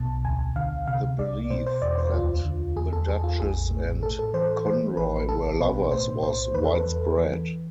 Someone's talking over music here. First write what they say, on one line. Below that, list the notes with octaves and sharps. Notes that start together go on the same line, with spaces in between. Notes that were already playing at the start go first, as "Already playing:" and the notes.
The belief that the Duchess and Conroy were lovers was widespread.
Already playing: B1 B2 A5
D2 G#5
D3 F5
C3 F5
C2 D5
B2 C5
C5
E2 D5
C5
D2 F4
D3
E2 G#4
A4
E2 G#4
F4
A1 G#4
A2
A2 A4
A4
E3 C5
E3 C5
A1 B4
C2 A4
B2 B4
A2 C5
B1 C5
E2 B4
A4
B4
E2
E3